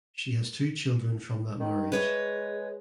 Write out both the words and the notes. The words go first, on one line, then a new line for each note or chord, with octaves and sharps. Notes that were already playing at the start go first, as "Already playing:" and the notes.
She has two children from that marriage.
D#3
G#3 B4 C#5 D#5